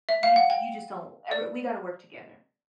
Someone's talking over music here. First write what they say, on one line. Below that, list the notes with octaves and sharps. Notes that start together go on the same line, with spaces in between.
you d you just don't ever we gotta work together.
E5
F5
F#5
G5
D5